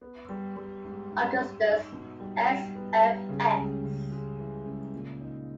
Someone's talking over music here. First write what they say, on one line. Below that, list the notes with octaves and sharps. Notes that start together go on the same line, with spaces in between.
Augustus S. F. X.
B3
G3
G3
G#2
G#2
G#2
D#4
B2
G3
G3
B3
G3
C#3
C#2
C#3
G#3
E3
C#2
A#2
D#4